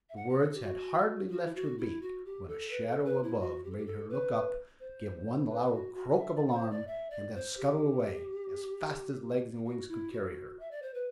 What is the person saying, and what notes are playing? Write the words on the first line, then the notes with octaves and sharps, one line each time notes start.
The words had hardly left her beak, when a shadow above made her look up, give one loud croak of alarm, and then scuttle away, as fast as legs and wings could carry her.
E5
F#5
G4
A4
G4
F#4
G4
F#4
E4
F#4
E4
F#4
G4
A4
B4
A4
B4
E4
F#4
G4
A4
G4
A4
B4
C5
B4
F#4
F#4
E5
D5
D5
C5
D5
E5
D5
C5
G4
F#4
E4
F#4
E5
D5
C5
B4